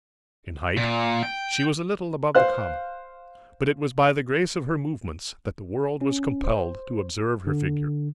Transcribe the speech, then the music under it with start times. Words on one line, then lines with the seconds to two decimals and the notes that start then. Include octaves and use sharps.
In height she was a little above the common, but it was by the grace of her movements that the world was compelled to observe her figure.
0.77 A#2
1.23 G5
2.35 C5 F5 F#6
6.01 C#4
6.44 C5
7.47 D3